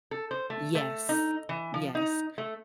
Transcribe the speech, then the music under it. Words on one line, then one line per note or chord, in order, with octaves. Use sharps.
Yes, yes.
A4
C5
A3
A3
D#4
E3
F3
D#4
A3